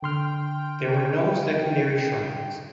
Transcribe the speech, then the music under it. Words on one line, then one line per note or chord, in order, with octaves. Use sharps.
There were no secondary shrines.
D3 G5 C6 F6